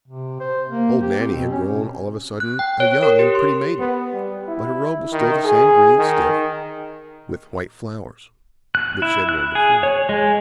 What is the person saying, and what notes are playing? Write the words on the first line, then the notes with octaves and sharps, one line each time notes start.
Old Nanny had grown all of a sudden a young and pretty maiden; but her robe was still the same green stuff with white flowers, which she had worn before.
C3
C5
A#3
G4
C4
B2
C#4
F#6
G5
C#5
A#4
G4
C6
B3
G3
E4
D#3
G#4
D#3
F#6
E4
F#6
G#4
C#5
G#3